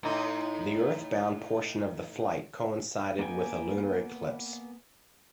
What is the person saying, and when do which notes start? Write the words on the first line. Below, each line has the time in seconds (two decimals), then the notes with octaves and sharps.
The Earth bound portion of the flight coincided with a lunar eclipse.
0.03 A2 D#4
3.19 A#3 B3 G5 G#5